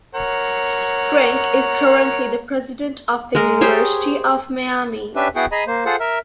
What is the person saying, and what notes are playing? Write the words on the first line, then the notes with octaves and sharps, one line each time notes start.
Frenk is currently the president of the University of Miami.
A#4 C#5 F#5
G#3 A#4
G4 G#4 C5 C#5
C#4 D4 G4 B4 E5
B3 E4 F#4 G#4 F#5 G5
G#4 D#5 G#5 A#5 B5
A#3 C5
F4 G#4 A4 C5 F#5
A#4 E5